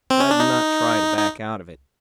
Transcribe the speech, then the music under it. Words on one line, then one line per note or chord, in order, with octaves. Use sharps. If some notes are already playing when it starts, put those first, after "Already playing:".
But I did not try to back out of it.
C4
C#4
D4
D#4
D#4